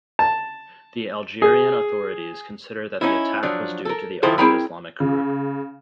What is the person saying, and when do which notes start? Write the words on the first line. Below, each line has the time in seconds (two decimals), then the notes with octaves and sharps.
The Algerian authorities consider that the attack was due to the Armed Islamic Group.
0.19 A5
1.42 G#4
3.01 C#4 D#4 E4
3.43 F3 F#3 D4
3.85 A4 A#4
4.23 D#3 F3 E4 A4 C5
4.38 C4 E4 G#4 A#4 G5 B5
5.00 C#3